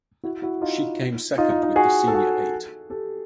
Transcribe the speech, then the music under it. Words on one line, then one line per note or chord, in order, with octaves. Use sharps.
She came second with the senior eight.
E4 F#4
E4 F#4
D#4 F4
D#4 F4
D#4
D#4
F#4 G#4
A4
F#4 G#4
G4 A4